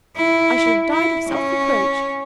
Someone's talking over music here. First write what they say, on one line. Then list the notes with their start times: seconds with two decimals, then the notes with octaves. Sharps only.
I should have died of self-reproach.
0.17 E4
0.91 E4
1.29 C#4